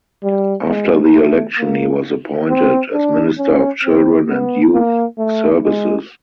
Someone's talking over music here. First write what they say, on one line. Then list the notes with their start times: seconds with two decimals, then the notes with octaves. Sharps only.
After the election he was appointed as Minister of Children and Youth Services.
0.23 G3
0.68 G#3
1.13 A3
1.59 A#3
2.48 C4
2.93 D4
3.38 C#4
3.84 C4
4.29 B3
4.73 A#3
5.18 A3
5.64 G#3